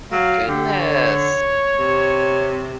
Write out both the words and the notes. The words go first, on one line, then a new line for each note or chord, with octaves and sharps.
Oh, goodness.
F#3 F5
D3 G4
C#5
C3